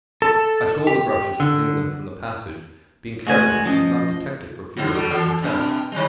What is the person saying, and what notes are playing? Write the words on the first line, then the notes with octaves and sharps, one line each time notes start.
I stole the brushes to clean them from the passage, being careful he should not detect it, for fear of his contempt.
A4
G4
D3
G#3 A3 F#4 B4 D5 G#5
F3 C#4 D#5
D3 F3
G3 F#4 A4
E3 A4
G2 B2
D#3 G3